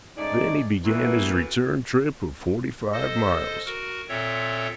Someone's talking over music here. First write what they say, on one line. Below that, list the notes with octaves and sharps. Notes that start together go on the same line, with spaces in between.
Then he began his return trip of forty-five miles.
G#2 A3 C#4 D#4 G#4 D5
D2 A2 E3 A#3 B3 E4
A4 C5 D#5 A#6
F#4 A#4
A#2 C4 A4 C#5 E5